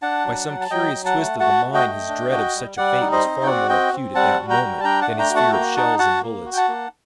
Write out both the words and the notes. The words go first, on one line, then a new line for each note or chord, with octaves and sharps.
By some curious twist of the mind his dread of such a fate was far more acute at that moment than his fear of shells and bullets.
D4 F#5 A5
F#3
F#3
A5
F#3 D#5 G5
F#3
F#5 A5
A3
F#4 F#5 A5
A3
D#5 G5
A3
D4
F#4
G3
G3 D5 F#5
D#4
C5 D#5
C4
G5
F#4 D5 F#5
C4 D#5 G5
C4
G3 F#5 A5
F#4
G5 A#5
G3
A5
D4 G5 A#5
F#5 A5
A3
G5 A#5
F#4
F#5 A5
A#3 G5 A#5
D#4 F#5 A5
F#4 F#5 A5
A#3
F#4
G5
F#5 A5
A#3